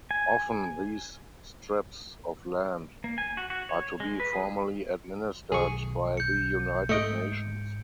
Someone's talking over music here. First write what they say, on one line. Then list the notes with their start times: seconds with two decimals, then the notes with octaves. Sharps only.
Often these strips of land are to be formally administered by the United Nations.
0.11 G#5
3.04 A#3
3.18 G#5
3.37 F#4
3.50 F#4
3.69 C#5
4.00 G#3
4.20 B4
4.33 G#4
5.52 B1 D#3 G#4 C#6
6.17 G6 C#7
6.89 G#2 G#3 A3 D#5 C#7 D7